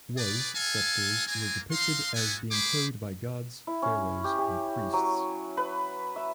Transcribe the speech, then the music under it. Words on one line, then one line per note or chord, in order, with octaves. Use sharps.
"Was" sceptres were depicted as being carried by gods, pharaohs, and priests.
G#4 B4 D5
A4 F5 G#5
A#3 C4 G#5
D#4 F5 C6
B3 E4 F#4 G#5
G#4 C5 B5 D6
E4
C#4
G4
G4
F#3
B4
E5